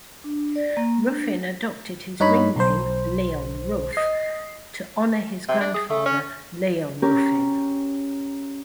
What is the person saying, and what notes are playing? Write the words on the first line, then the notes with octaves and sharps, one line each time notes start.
Ruffin adopted his ring name "Leon Ruff" to honor his grandfather Leon Ruffin.
D4
D5
A#3
D4
G2 D#4 C#5 D#5 B5
B1 C5
D#5 C7
C3
D4
G#4
A3
C#4
C#4 G4 A#4